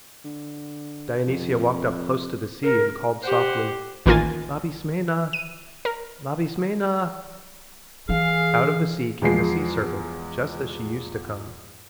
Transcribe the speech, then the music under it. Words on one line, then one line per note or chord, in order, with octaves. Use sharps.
Dionysia walked up close to the sea and called softly, "Labismena, Labismena." Out of the sea came the sea serpent just as she used to come.
D3
F2
A#4
G4 C5 F#5
A1 D#3 A#3 F4 G#5 A6
D#7
A#4
E3 G#4 F5
E2 F3 G#3 C7